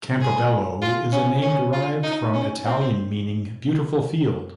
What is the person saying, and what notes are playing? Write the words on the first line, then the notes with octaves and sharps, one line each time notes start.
Campobello is a name derived from Italian meaning "beautiful field".
G#4
F4
C#4
C#4
F4
D#4
C#4
C4